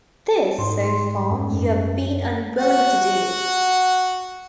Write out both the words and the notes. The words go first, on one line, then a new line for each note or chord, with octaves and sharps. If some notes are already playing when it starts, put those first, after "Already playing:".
This, so far, you have been unwilling to do.
G#2 C6
F#2
F#4 F#5